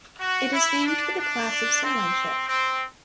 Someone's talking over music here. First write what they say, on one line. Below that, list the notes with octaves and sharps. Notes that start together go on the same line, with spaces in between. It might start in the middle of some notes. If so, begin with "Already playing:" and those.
It is named for the class of sailing ship.
F#4
E4
D4
D4
C4
C4